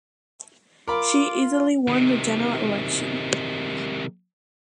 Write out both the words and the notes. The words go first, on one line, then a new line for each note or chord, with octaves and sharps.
She easily won the general election.
F4 A#4 B5 D6
C3 D#3